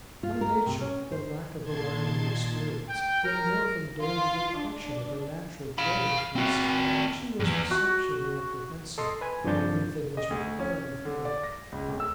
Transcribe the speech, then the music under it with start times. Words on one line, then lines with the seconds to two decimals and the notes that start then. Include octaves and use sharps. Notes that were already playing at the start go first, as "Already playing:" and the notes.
By nature, from lack of variety of experience, yet more from daily repression of her natural joyousness, she was exceptionally apprehensive where anything was required of her.
0.23 F4
0.41 A#4
0.66 C3
0.80 C#4
1.12 C5
1.62 A#2 D#3 A5 C6 G#6
2.89 G5
3.24 A#4
4.00 F4
4.57 D4
5.78 F5 B5
6.36 C4 F#4
7.40 E2 G2
7.71 F#4
8.98 A4 D#5 C6
9.21 B4 G#5
9.44 G2 F3 C4 D4 G6 A6
10.17 D#5
10.31 D2
10.60 C#4
10.74 C#4
11.05 D3
11.25 D5
11.43 A#6
11.72 C#2
11.88 D1
12.00 E6